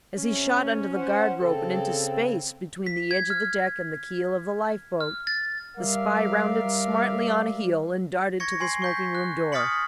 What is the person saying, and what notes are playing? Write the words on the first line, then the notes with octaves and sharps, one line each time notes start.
As he shot under the guard rope and into space between the edge of the deck and the keel of the lifeboat, the spy rounded smartly on a heel and darted to the smoking-room door.
C3 C#4
C5 F#5
C#3 C4 A4
B6
G#6
F6
F6
A6
G3 A#4 D5 E5 F5
C#6 G#6 A#6 C#7
G#5 C6 C7
C#6 G6 B6
F#6
D#6 F6 A6 B6 C#7 F#7